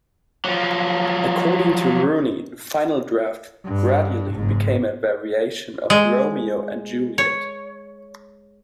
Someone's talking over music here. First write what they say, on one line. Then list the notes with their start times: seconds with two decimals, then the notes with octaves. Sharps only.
According to Rooney, the final draft gradually became a variation of "Romeo and Juliet".
0.45 F3 F#3
3.65 G2
4.34 F#1 G#2
5.90 G#3
7.18 C#5